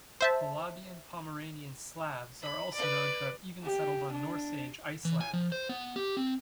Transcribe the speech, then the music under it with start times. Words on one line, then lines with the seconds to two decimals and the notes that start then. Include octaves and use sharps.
Polabian-Pomeranian Slavs are also known to have even settled on Norse age Iceland.
0.21 C5 E5 A5
2.42 B5
2.74 B4 D5
3.63 G4
4.12 D4
5.05 E3
5.21 G#5
5.33 F3
5.52 C5
5.69 B3
5.96 G4
6.17 C4